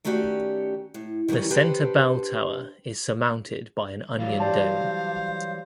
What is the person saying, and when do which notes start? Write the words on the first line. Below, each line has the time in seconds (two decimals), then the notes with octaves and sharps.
The center belltower is surmounted by an onion dome.
0.05 D#3 A3 C#4 F#4 G4 D5
0.94 A2
1.28 D#3 E3 F#3 G3 C#4
1.50 D4 G4 A4 B4 C5
4.19 E3 F#3 G3 F5
4.40 G4 C5 D5 A5